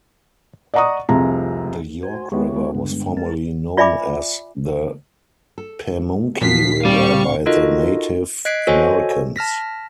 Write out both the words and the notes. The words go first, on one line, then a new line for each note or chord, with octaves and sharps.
The York River was formerly known as the Pamunkey River by the Native Americans.
D5 D#5 F#5 A#5 C#6 D#6
F1 C2 C3 F3 G#4 A#5
F#4 C5 G#5
G#3 B3 E4 G4 C#5
G2 D3
A#4 A5
F4 D5 E5 G#5 B5 D6
A4
A#2 F3 F#4 B6 C7
A2 G3 C4 F5 A5 C#6
D#4 F4 F#4 A4 A#4 D#5
D#5 F#6 G#6 B6 C7 D7
F#4 A4 C5 C#5 D#5 G#5
A5 F6 A#6 B6